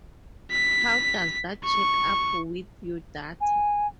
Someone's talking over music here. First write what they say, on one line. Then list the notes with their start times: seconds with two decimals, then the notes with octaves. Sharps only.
How does that check up with your data?
0.51 B6
1.64 C#6
3.40 G#5